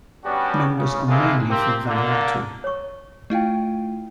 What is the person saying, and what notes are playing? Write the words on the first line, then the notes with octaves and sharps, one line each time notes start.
Members are mainly from Vanuatu.
G3 B3 C#4 D4 F#4 G4
C#3
G#3 A#3 C4 E4 F4 A4
A#3 C4 G4
D3 A#3
C#5 C#6
A3 E4 F4 D#5 F5 G5